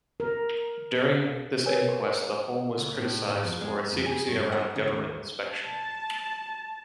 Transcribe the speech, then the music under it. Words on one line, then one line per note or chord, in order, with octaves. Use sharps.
During this inquest the Home was criticised for its secrecy around Government inspection.
A#4
A#4 B4 C#5 G#5
C#2
A2
G#2
F2
G#3
F2
G#4
G2
F#5
C#3
D#2
A5